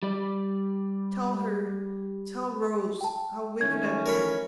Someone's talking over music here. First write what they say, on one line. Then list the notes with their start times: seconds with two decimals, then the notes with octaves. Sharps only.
Tell her--tell Rose--how wicked I've been.
0.03 G3 D5
3.01 G5 A5
3.61 D#3 A3 C#4 G#6
4.06 A#4 C#5 B5